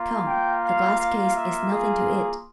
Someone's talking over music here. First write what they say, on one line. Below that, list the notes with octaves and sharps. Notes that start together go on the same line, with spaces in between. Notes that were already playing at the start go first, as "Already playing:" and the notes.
Come, a glass case is nothing to it.
Already playing: A#3 F4
G5
F5
F5
E5
G#4